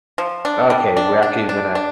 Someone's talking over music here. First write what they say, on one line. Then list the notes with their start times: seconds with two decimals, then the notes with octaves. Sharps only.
Okay, we're actually gonna
0.18 F3
0.45 D4
0.70 G3
0.97 D4
1.23 D4
1.49 D4
1.75 D4